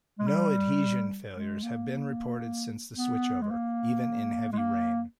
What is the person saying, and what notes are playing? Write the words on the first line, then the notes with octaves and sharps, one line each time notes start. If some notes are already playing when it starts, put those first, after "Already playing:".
No adhesion failures have been reported since the switchover, even in heavy rain.
G#3
G3
G#3
A#3
B3
G#3
A#3
G#3
A#3